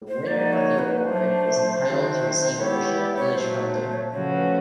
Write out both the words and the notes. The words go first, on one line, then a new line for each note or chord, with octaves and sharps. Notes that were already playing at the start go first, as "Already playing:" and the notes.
The winner of the award is entitled to receive additional village funding.
C5
F3 A#3 D#4 F#4 D5
C#5
B4
F#3 A3 D4 C5
D#3 F#3 A3 C4
G#3 B3 E4 G4 B4 C#5
C#5
D5
C#5
A#2 F#3 A3 C5
C#5
C5
C#5
C#3 F3 A3 C#4 F#4 C#5
B4